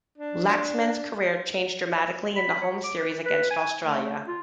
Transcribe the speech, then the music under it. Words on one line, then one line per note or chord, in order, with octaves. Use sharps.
Laxman's career changed dramatically in the home series against Australia.
D4
B5
C#5
D6
B4
B4
G#5
A3
F4